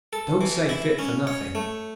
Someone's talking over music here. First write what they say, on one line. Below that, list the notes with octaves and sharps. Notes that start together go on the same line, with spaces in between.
"Don't say fit for nothing."
A4
E3
E4
C#4
C#5
A3